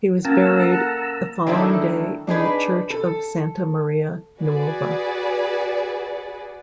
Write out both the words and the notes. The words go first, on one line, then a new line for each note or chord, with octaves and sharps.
He was buried the following day in the church of Santa Maria Nuova.
A#3 C#4 A4 F#5 A5 A#5 E6
D#3 F#3 A3 D4 E4 A4
D4 D#4 G#4 B4
A4
F#4 G#4 B4 D5